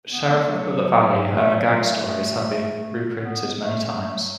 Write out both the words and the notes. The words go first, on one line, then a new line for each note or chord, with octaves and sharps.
"Sheriff of Bullet Valley" and the gag stories have been reprinted many times.
B3
A3
F#3
A3
F#3
A3
B3
A3
A3
A3
F#3